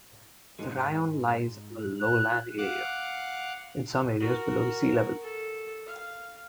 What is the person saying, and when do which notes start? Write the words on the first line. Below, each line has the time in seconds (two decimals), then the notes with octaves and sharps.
The raion lies on a lowland area, in some areas below the sea level.
0.59 G#2 G#3
2.00 F#6
2.58 F5 F#5 D6
4.20 F#4 A#4
5.22 A4
5.86 F5